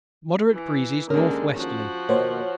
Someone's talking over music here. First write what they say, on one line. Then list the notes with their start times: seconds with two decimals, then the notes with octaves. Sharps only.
Moderate breezes north-westerly.
0.52 E3
1.10 D#2 D3 G#3 C#4 A#4
1.55 F3 F#4
2.09 D#2 B2 A#3 C5 C#5 F#5